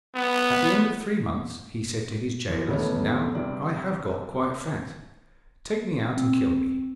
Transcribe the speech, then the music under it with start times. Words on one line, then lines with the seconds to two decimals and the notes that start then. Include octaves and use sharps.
At the end of three months he said to his gaolers: 'Now I have got quite fat; take me out, and kill me.'
0.16 B3
2.49 E2 F3
2.68 D#1 E2 B2 A3 B3 C#5
3.35 G2 C3 D5
6.17 C4